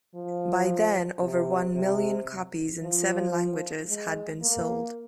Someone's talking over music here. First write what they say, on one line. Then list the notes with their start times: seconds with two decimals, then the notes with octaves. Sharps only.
By then over one million copies in seven languages had been sold.
0.15 F3
1.22 C3
1.75 C3
2.82 F3
3.89 G#3
4.42 A#3